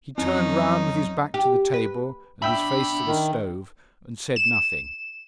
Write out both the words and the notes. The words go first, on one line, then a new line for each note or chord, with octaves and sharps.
He turned round with his back to the table and his face to the stove, and said nothing.
F2 F#3 C4 C#4 D#4
G4
B4
B2 D4 E5 G5 B5 E6
D#3
E7